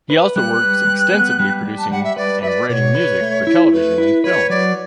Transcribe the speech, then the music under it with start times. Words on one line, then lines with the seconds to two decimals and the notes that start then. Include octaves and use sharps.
He also works extensively producing and writing music for television and film.
0.10 B4
0.36 G3 F#6
0.61 B4
0.87 G3
1.14 B3
1.40 G3
1.65 G3
1.78 A5
1.91 G3 F#5
2.04 E5
2.16 B4 D5
2.43 B4 E5
2.48 D5
2.69 B2 C#5 D5
2.95 B4
3.21 A3
3.47 E4
3.72 A3 B4
3.98 E4
4.24 B4 C#5
4.50 F#3 D5